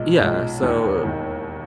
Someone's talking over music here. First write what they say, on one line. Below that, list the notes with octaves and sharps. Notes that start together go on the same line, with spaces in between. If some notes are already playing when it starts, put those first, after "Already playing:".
Yeah, so
Already playing: B1 A#2 G#3 D#4
B1 A#2 G#3 D#4
E1 D#2 D#3
E1 D#3